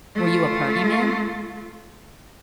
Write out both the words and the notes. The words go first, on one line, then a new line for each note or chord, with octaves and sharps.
Were you a party man?
A3 F4